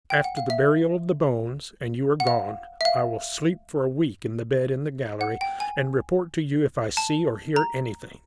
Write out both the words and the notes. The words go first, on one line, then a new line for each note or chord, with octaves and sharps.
After the burial of the bones, and you are gone, I will sleep for a week in the bed in the gallery, and report to you if I see or hear anything.
G5
F#5
F5
E5
F#5
F5
E5
F5
F#5
G5
G#5
A5
A#5